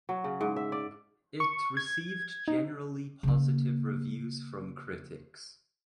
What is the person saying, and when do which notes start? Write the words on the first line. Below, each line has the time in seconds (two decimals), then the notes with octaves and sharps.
It received generally positive reviews from critics.
0.09 F#3
0.24 C#3
0.41 G#2
0.56 E5
0.72 D5
1.40 C#6
1.77 G#6
2.48 D#4
3.23 C#3 A#3